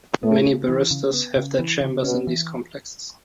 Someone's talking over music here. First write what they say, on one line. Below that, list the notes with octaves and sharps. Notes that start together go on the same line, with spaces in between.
Many barristers have their chambers in these complexes.
A2 B3
C#3
E3
C#3
B3
C#3
E3
C#3
B2 C#4
E3